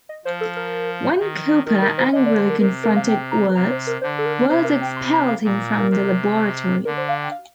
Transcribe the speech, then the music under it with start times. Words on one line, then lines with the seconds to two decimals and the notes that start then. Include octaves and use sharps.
When Couper angrily confronted Wurtz, Wurtz expelled him from the laboratory.
0.09 D#5
0.25 F3 C5
0.41 A4
0.57 A#4
1.19 D#3
1.66 D#3 A#4
1.82 A#4
1.98 C5
2.13 D3 D#5
2.26 D5
2.37 C5
2.50 A#4
2.61 C3 A#4
2.84 A#4
2.96 F5
3.08 G5
3.32 A#5
3.55 C3 A#5
3.71 C5
3.87 A#4
4.02 D3 C5
4.18 A4
4.26 A#4
4.49 C3 C5
4.64 A#4
4.81 G5
4.97 C6
5.13 A#5
5.28 F5
5.44 A#2
5.79 A#4
5.91 C3
6.85 D3 A#4
6.97 C5
7.09 F5
7.21 G5
7.32 F5